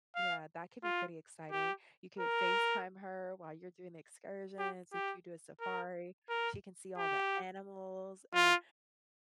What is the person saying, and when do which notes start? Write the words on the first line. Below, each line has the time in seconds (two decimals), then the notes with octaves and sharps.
Yeah, that could be pretty exciting. You could FaceTime her while you're doing the excursions. If you do a safari, she can see all the animals and,
0.16 F5
0.84 F4
1.52 G4
2.20 A#4
4.59 G4
4.93 G4
5.61 A#4
6.29 A#4
6.98 G4
8.34 F4